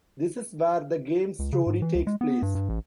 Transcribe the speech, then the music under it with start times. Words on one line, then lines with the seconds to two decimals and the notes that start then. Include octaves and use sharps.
This is where the game's story takes place.
1.39 C#2
1.52 C#3
1.67 G#2
1.82 E3
1.95 C#2
2.07 G#3
2.21 B3
2.42 G2
2.55 G2
2.69 A1